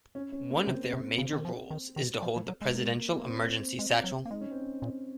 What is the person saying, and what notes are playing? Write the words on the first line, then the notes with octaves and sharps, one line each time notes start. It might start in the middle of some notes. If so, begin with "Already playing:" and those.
One of their major roles is to hold the Presidential emergency satchel.
C#4
C#4
A#3
C3 C4
C3
C#3
D#3
F3
D#3
D#3
F3
F3
F#3
G#3
A#3
A#3
C4
G#3
F#3
A#3
G#3 D#4
C#4
C4
C#4
A#2